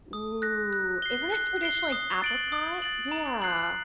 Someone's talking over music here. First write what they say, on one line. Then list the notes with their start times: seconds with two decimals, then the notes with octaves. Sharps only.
Ooh, isn't it traditionally apricot? Yeah.
0.13 D#6
0.42 F#6 A#6
0.73 F#6
1.02 C7 G7
1.32 F#6
1.63 C7 G7
1.92 D#6
2.22 A6 D7 F#7
2.52 D#6
2.82 A6 D7 F#7
3.12 A#5
3.42 F#6 C7 F#7